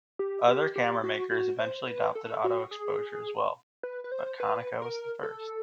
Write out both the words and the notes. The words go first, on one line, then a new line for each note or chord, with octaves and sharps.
Other camera makers eventually adopted auto-exposure as well, but Konica was the first.
G4
G4
G4
F#4
F#4
C5
B4
A4
F#4
G#4
B4
B4
C5
B4
A#4
A4